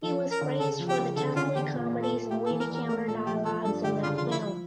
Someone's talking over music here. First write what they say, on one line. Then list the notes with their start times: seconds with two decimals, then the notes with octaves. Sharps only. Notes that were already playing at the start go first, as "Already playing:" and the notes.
He was praised for the timely comedies and witty counter dialogues in that film.
0.03 F3 A4
0.22 C#4
0.31 A#4
0.41 D3
0.60 C#3 A4
0.79 F3
0.89 G4
0.98 C#3
1.17 D3 A4
1.36 D3 F4
1.55 E2 G4
1.74 A#2
1.93 A#2
2.03 A4
2.12 A#2
2.31 A#3 G4
2.46 A4
2.50 E3
2.60 A#4
2.70 E2
2.75 A#4
2.89 A3 A#4
3.08 A#2 A4
3.27 F3 G4
3.45 F3 A4
3.65 G2 A4
3.84 D3 G4
4.03 C#3 F4
4.17 F4
4.22 F3
4.31 E4
4.41 F3